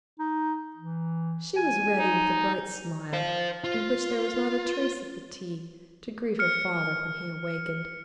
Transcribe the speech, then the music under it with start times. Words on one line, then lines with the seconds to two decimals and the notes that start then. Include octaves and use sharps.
She was ready with a bright smile, in which there was not a trace of fatigue, to greet her father when he awakened.
0.19 D#4
0.76 E3
1.57 G#5
1.98 D#4
3.13 C5 F5
3.64 F4
6.39 F6 C#7